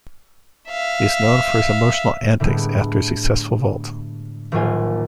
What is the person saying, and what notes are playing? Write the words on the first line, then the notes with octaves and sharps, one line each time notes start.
He is known for his emotional antics after a successful vault.
E5 F5
A2 D3 G3 G#3 B3
D#1 A#1 A2 F#3 F4 G#5